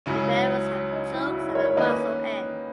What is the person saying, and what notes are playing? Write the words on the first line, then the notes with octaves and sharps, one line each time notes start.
The barrels have chokes at the muzzle end.
C#2 C#3 F#3 C#4 E4
D#4
E4
F#4
E4
A#4 C#5
D#3 A#3 C#4 B4 D#5